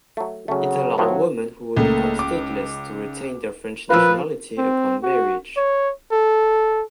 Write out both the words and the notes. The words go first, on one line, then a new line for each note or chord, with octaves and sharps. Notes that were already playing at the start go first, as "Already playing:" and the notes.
It allowed women who would become stateless to retain their French nationality upon marriage.
F#3 A3
C#3 F#3 A3 C#4 F#4
D#2 A2 F3 F#3 B3
C#2 A3 A#3 A4
D6
F3 F4 A#4 B4 E6
C4
F#4
C#5
A4